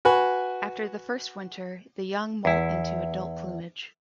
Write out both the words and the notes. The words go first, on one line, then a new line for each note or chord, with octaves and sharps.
After the first winter, the young moult into adult plumage.
F#4 B4 G#5
E2 E4